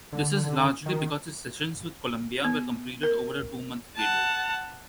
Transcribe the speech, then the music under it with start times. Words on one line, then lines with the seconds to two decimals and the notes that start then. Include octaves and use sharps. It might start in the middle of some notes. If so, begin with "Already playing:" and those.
This is largely because his sessions with Columbia were completed over a two-month period.
0.13 D3
0.86 D#3
2.45 B3
3.03 A#4
3.97 F#5 A5